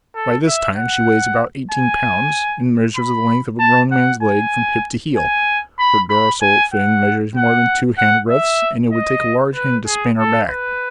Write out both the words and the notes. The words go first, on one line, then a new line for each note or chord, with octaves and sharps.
By this time she weighs about eighteen pounds, and measures the length of a grown man's leg from hip to heel; her dorsal fin measures more than two hand-breadths, and it would take a large hand to span her back.
A4
E5
F#5
G#5
B5
A5
F#5
G#5
G#5
B5
B5
G#5
F#5
F#5
F#5
E5
D#5
B4
G#4
A4
B4